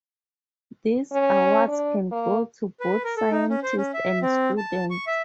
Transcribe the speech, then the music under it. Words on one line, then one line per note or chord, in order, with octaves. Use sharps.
These awards can go to both scientists and students.
C#4
D4
A#3
B4
A#4
A4
D#4
C#4
C5
C#4
E5
C4
A5
C#6
E5